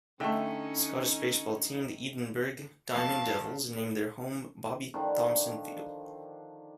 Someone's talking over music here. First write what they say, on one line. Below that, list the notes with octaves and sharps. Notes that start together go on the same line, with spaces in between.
Scottish baseball team, the Edinburgh Diamond Devils, named their home Bobby Thomson Field.
D3 A3 C#4 D#4 D#5 E5 G5
F2 A#3 F5 A5 C7
D3 D#3 F3 D4